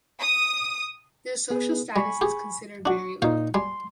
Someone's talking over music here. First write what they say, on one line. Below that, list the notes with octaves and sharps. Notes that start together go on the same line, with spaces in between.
Their social status is considered very low.
D#6
B3 G#4 B4
G3 G#5 B5 C#6
G4 G#4
D4 F#4 C#6
A#2 D#4 F4 C5 C#5
G3 G#5 C6